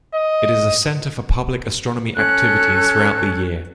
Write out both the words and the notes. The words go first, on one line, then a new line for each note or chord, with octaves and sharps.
It is a center for public astronomy activities throughout the year.
D#5
C#4 A4 F#6